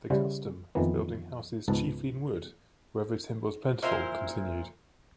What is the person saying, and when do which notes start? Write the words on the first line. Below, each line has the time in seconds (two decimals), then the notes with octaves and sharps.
The custom of building houses chiefly in wood wherever timber was plentiful continued.
0.10 C#3 G3 E4 F#4 C5
0.75 F2 D#3 E3 A#3 B3
1.68 C#2 G#2 B3 A5
3.82 A#2 E4 C5 F5